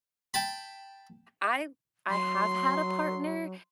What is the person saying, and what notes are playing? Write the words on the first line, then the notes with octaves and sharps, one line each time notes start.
I I have had a partner,
G5 A5 B5
F#3 C6